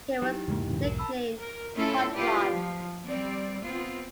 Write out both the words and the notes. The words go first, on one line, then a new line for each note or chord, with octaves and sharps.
He was nicknamed Hot Rod.
F#3 D#4 E4 G4
E2 G#2 C#3 G#3 A#3
A#2 C#3 E3
B1 A#4
A5 B5 E6
A#4
A3 C#4 E4 F4 A4
E4 F4 G4 B4 D5
F3
G3 C4 D5
B3 C4 F4